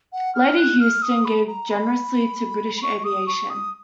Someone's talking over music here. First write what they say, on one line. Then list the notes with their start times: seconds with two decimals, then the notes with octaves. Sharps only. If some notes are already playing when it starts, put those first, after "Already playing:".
Lady Houston gave generously to British aviation.
0.12 F#5
0.34 F6
0.57 F#6
0.79 F6
1.02 D#6
1.25 B5
1.47 A#5
1.69 B5
2.76 B5
2.82 C#6
3.04 D#6
3.26 C#6
3.49 D#6